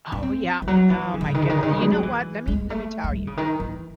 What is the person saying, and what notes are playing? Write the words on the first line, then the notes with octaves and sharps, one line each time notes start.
Oh, yeah. Oh my goodne You know what? Let me let me tell you.
C#4
C4
E3
F#3
E3
C#3
D#3
C#3
D#3
C#3
D#3
C#3
D#3
C#3
G#3
F#3
E3
G#3
A3
A3
D#3
C#3
D#3
E3